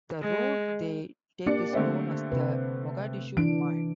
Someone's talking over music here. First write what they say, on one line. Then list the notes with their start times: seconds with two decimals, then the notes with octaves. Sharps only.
The road they take is known as the Mogadishu Mile.
0.22 G#3
1.46 A#3 D4 G4 D5 C#7
1.73 D3 A3 C4
2.32 C3 B4
3.37 E3 D4 D7